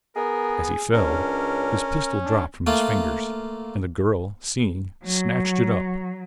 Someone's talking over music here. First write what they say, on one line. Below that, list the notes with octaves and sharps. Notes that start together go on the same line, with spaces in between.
As he fell his pistol dropped from his fingers, and the girl, seeing, snatched it up.
B3 G#4 A#4
C#2 C#4 D4 A#4
D4
A3 A#3 F4
F#3